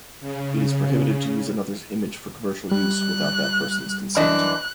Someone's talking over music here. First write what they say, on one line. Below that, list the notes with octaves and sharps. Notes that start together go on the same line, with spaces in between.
It is prohibited to use another's image for commercial use without that person's consent.
C#3
G3 F#6
F#2 E3 D4 D#5 F#6